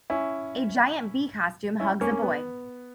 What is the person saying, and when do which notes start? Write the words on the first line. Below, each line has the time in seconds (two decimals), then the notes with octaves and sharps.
A giant bee costume hugs a boy.
0.10 C#4 E4
1.80 C#4 E4
2.01 A#3 C#4
2.11 A#3 C#4
2.22 B3